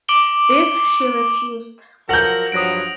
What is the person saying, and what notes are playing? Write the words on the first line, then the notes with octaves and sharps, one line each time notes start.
This she refused.
D6 D7 F#7 G7
F3 F#3 A#4 F#5 G6 A#6 F#7
G2 F3 F#3 D#6 A#6 D7